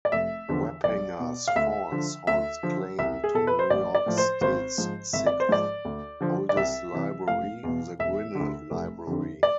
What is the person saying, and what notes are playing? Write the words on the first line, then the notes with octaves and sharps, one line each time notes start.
Wappingers Falls holds claim to New York State's sixth oldest library, the Grinnell Library.
D5
F1 E5
E2 D3 F3
B1 D5
B2
F5
D2 E5
D3 F3
D2 E5
D3 F3
C2 E5
G#4
B2 A4
B4
C5
A1 D5
D5
A2 F3
C5
G#1 C5
G#2 F3
G#1 E5
D5
C5
G#2 F3 D5
D2
D3 F3
D5
C2 E5
C3 E3
F1 F5
E2 B2
E1 E5
D2 D3
F1
F2 D3
D5